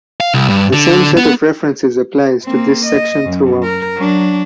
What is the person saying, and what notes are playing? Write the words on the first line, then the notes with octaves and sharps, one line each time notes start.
The same set of references applies to this section throughout.
F5
C2
G2
D3
B3
A#3 C4
D#5
F#2
A#4
F#3 D4